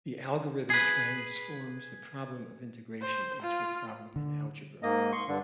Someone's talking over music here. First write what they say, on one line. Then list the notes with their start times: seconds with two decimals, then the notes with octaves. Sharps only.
The algorithm transforms the problem of integration into a problem in algebra.
0.70 G#4 B4
3.02 C5
3.43 F4
4.16 D3
4.83 G#2 A#3 D#5
5.12 C6 C#6
5.28 G2 D3